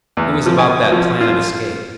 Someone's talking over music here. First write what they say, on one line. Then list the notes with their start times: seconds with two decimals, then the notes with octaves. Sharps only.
It was about that plan of escape.
0.17 E2
0.46 F3
0.59 G#5
0.92 F3
1.21 F4